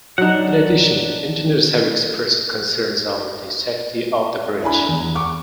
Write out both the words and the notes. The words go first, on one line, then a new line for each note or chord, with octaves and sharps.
In addition, engineers have expressed concerns over the safety of the bridge.
F#3 D4 D#4 F#5
D4 E4 G#5 B5
E2
C#6 D6